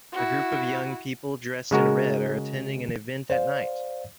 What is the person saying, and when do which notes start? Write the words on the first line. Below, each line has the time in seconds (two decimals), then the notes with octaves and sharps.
A group of young people dressed in red are attending an event at night.
0.12 E4 F#4
1.71 C#3 G#3 F#4 A#4
3.30 C5 D5 F5